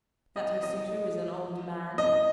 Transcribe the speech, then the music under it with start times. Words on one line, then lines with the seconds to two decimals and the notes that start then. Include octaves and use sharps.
That her suitor is an old man?
0.36 D#5
0.63 D#5
1.98 D#5